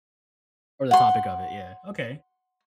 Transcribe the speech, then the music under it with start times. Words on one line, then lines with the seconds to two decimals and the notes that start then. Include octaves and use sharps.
or the topic of it, yeah, okay.
0.91 F#5 C6